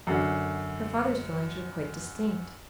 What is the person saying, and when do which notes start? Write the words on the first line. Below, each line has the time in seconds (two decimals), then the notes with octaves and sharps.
Her father's feelings were quite distinct.
0.07 F#2 D3